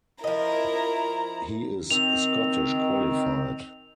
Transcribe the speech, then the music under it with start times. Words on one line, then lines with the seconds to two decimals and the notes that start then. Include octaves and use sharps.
He is Scottish qualified.
0.24 F3 E4 A#4 D#5 A#5
1.91 D#3 C4 F7